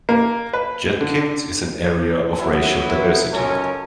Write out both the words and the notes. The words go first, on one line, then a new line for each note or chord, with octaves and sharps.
Judkins is an area of racial diversity.
A#3
B4
D3
F#3 B3 E4
C#2 F#2 F#3 C#4 A4 A#4